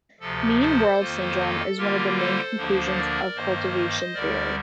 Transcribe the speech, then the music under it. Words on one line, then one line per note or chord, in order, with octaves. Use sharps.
Mean world syndrome is one of the main conclusions of cultivation theory.
D2 C3 F3 A4
A4 C5
F2 D#3 A#3 F4
A4
D3 G3 A#3 F4 G4 A#4
A4 C5
D2 D3 F3 A#3 D4
A#4 D5
G2 D#3 A#3 C5 D#5
D2 D3 G3 A#4 D5